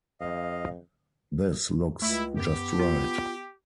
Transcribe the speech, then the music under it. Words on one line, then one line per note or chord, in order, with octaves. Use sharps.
This looks just right.
F2 D#5 F5
C#2 A3 E4
F#2 B3 G4
F4